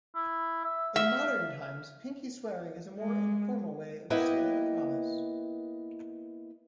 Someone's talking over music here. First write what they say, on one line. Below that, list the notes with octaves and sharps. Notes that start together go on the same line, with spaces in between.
In modern times, pinky swearing is a more informal way of sealing a promise.
E4
E5
E5 F5
G#3
A#3 B3 E4 B4 D#5 G5